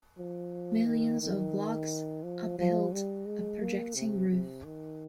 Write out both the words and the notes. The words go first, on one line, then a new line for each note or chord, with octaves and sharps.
Millions of logs upheld a projecting roof.
F3
D#3
D#3
F3
F3
G3
G#3
A#3
C3
C3
D#3